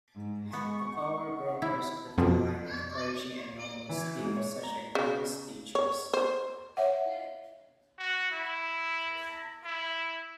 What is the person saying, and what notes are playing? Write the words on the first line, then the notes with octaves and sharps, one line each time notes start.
The power brokers of the time, the clergy and nobles, deemed such ideas dangerous.
G#2
G#3 B3 C#6
F#5
E4
F2 B2
E3
G#2
C#5
A#5
C#3
C#5
C5
C#5 E5 F#5
F#4
E4
E4